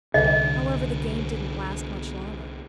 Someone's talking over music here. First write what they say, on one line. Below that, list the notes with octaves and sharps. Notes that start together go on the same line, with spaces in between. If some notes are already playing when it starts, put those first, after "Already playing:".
However, the game didn't last much longer.
C2 D3 D#5